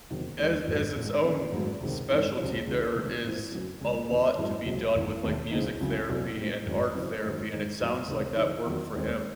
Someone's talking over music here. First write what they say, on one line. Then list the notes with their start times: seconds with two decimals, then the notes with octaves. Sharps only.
as as its own specialty, there is a lot to be done with, like, music therapy and art therapy, and it sounds, like, that worked for him.
0.10 F#1 E2 C3 D#3 F#3
0.39 D#2 D#3 G#3
0.67 G#1 G#2 F#3
0.96 A1 A2 G#3
1.24 F#1 F#2 D#3 A3 C#4
1.52 G#2 F#3 A3
1.81 C#2 C3 D#3
2.10 G#2 E3 C4 D#4
2.38 C#2 C3 F#3 C#4
2.67 C#2 C#3 E3
2.95 C#2 C3 D#3 A3
3.24 A1 G#2 E3 C4 E4
3.52 F#2 C#3 F#3 A3
3.81 C#2 C#3 G#3 C#4
4.09 E1 E2 C#3 E3 C4
4.38 G#2 F#3 C#4 E4
4.66 C#2 C3 F#3
4.95 G#1 G#2 E3
5.23 E1 D#2 D#3 A3
5.51 C#2 C#3 E3 C4 D#4
5.80 C#2 C#3 F#3 C#4 E4
6.09 C2 C3 F#3 C#4
6.37 A2 G#3 C4 E4
6.66 G#1 G#2 D#3 F#3 C#4
6.94 F#2 C#3 F#3 C4 E4
7.22 G#2 D#3 F#3 A3 C4
7.52 G#2 D#3 G#3 D#4
7.80 A1 A2 F#3
8.08 C#2 C3 D#3
8.36 F#2 C#3 E3 C4 D#4
8.65 E2 D#3 F#3
8.94 D#2 D#3 G#3 C4